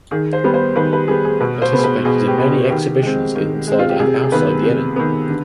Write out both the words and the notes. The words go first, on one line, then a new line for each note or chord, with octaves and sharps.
Participated in many exhibitions inside and outside Yemen.
D#3 G#4
C5
G3 B3
C5
D#3 B4
B4
G3 B3 G#4
G#4
B2 B4
C5
B3
G#4
B4
B2 G#4
G4
B3
G4
D#3 G4
G#3 C4
D#3
G#3 C4
F4
G4
C3 G#4
G#4
D#3 B3 B4
C3
D#3 B3
D3